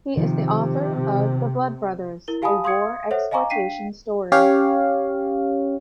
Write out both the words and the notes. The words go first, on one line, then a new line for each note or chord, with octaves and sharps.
He is the author of "The Blood Brothers", a war exploitation story.
C3 D#3 F3
E4 A#4 G7
G4 F5 G#5 A5 B5 D#6
F5 C6 C#6 D#6 G#6 C#7
A4 C5 C#5 E5 F#5
D#5 F5 G#5 A#5 C#6 D6
D4 F5 G5 B6 C7 D#7
C#4 G4 C#5 F5